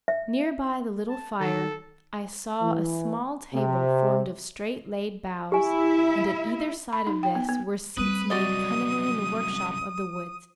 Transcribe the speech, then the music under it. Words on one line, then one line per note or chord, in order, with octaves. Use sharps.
Near by the little fire I saw a small table formed of straight-laid boughs, and at either side of this were seats made cunningly in the workshop of the woods.
E5
A5
D#3 A4
E3
C3
E4 G4 E5 G#5
B5
D#4
G5
B3
B3
G3 C4 B4 D#6
C2 F#2 F#4 D5 D#5 D#6